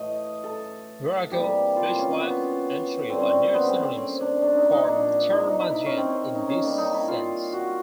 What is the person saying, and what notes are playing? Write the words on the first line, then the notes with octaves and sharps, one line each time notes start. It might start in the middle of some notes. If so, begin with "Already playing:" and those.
"Virago", "fishwife" and "shrew" are near synonyms for "termagant" in this sense.
Already playing: A2 E3 A3 D#5
A4
C3 E3 G3 A#3 G4
F4
C#4
B3
D3 G3 A#3 C4
C#4
C4
C4
B3
C4
C4
C#4
D4
D4
D#4
D#4
A#2 F3 A#3 D4
D#4
D#4
E4
D#4
C#4
C4
C#4
D#4
C#4
D#3 G3 A#3 D4
D#4
E4
F4
F#4